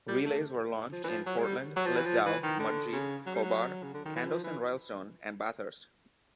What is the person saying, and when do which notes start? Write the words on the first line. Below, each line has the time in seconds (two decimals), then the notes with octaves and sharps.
Relays were launched in Portland, Lithgow, Mudgee, Cobar, Kandos and Rylstone and Bathurst.
0.08 G3
0.25 A3
0.92 F3
1.04 E3
1.09 F3
1.26 F#3
1.38 G#3
1.42 G3
1.76 F#3
1.86 F3
1.96 E3
2.06 F3
2.26 E3
2.43 D#3
2.59 D3
2.93 C#3
3.26 F#3
3.35 G3
3.43 F#3
3.83 C#3
3.94 D3
4.05 D#3
4.16 E3
4.27 F3
4.44 E3